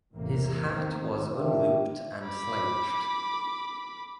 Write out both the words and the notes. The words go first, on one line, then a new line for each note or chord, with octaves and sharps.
His hat was unlooped and slouched.
A1 E2 A2 C3 E3 A#3
D#3 A#3 C4
D4 F4 G4 A#4 E5
B5 D6